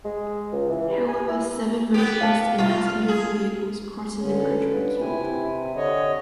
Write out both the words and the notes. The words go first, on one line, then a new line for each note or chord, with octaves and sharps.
However seven motorists and passengers in vehicles crossing the bridge were killed.
G#3
C#2
E3
G3
G#5
E4
B3 G4
F5 A5
C2 F4
F6
G#4
G2 D3 C#4
B4
C3 E4 G#5
D3 C#5 D#5